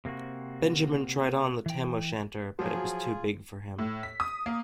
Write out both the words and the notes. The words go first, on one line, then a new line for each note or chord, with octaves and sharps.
Benjamin tried on the tam-o-shanter, but it was too big for him.
C3 A#3 C4 F#4
E3 G5
F3 F#3 F4 F#4 G#4
A2
B6
D#6
A#3